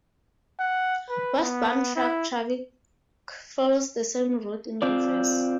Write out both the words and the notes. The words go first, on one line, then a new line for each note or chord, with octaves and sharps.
Westbound truck traffic follows the same route in reverse.
F#5
B4
B3
E4
C4 F4 D5